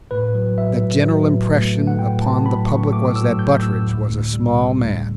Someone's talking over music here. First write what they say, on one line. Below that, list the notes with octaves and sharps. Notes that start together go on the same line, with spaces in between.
The general impression upon the public was that Butteridge, was a small man.
A2 B4
F#3
F#3 E5
A2
F#3
A2
A3
A3
F#5
A2 G5
A2 A5
F#3 B5
A2 C#6
A3 D6
F#3 E6
A2 G6
A2 E6
D2
D2
G3
C#3
D2